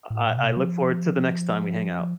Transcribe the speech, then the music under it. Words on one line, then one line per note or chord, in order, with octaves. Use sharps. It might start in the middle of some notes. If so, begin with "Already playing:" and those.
I I look forward to the next time we hang out.
A2
A#2
C3
B2
F#3
F3